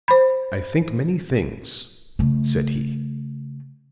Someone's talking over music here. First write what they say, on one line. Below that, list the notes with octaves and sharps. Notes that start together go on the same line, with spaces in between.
"I think many things," said he.
C5 B5
C#3 A3